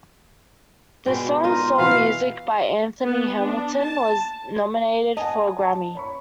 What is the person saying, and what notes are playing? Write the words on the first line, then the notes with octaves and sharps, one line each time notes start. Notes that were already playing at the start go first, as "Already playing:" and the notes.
The song "Soul Music" by Anthony Hamilton was nominated for a Grammy.
B2 G#3 G5
D#4 F4 D#5
B2 E3 B3 F5
B3
D4
A5
D#5 F#5 G#5 A5
A5
C#5 B5 C#6